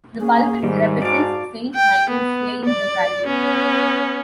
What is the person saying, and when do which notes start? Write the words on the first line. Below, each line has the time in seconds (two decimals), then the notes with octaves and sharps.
The pulpit represents Saint Michael slaying the dragon.
0.20 A#3 C#4 G#4
0.63 G#2 D#3 G3
1.02 F#4 D5 F5 A5 D6
1.75 G5
2.09 B3
2.65 D5
3.26 B3 C#4